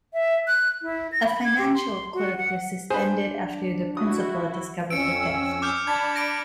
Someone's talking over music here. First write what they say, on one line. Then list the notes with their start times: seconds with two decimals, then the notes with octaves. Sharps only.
A financial clerk was suspended after the principal discovered the theft.
0.13 E5
0.47 F#6
0.82 E4
1.12 A#6
1.25 B5
1.45 G#6
1.58 G4
1.75 C6
2.14 F#4
2.37 F#5
2.90 D4 G#4 B4 C5
3.97 E4 F#4 D#6
4.90 F2 C#4 E6 C#7 D7
5.62 D6 F6 G6
5.87 D4 A5 B5 G#6
6.16 A#6 D7